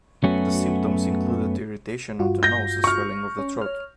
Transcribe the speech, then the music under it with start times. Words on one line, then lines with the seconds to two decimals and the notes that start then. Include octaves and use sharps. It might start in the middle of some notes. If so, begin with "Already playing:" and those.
The symptoms included irritation of the nose and swelling of the throat.
0.23 F#2 F#3 A3 B3 C#4 F#4
2.19 G2 F4 F#4
2.43 G6 A#6
2.84 C#6 F6
3.38 C#4
3.62 C#5 F6